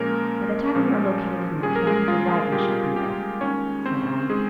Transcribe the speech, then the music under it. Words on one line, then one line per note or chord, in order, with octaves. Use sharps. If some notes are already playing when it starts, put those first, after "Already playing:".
"By the time you are located in your camp, your wagons shall be there," said I.
Already playing: A#2 F3 G#3 A#3 C#4 A#4
A#2 F3 G#3 C#4
A#2 G3 C#4 G#4
A#4
G#3 G#4
F4
A#2 G3 C#4 G4
G4
D#2 D#3 G#3 C#4 C#5
C4 C5
D#3 G#3 G#4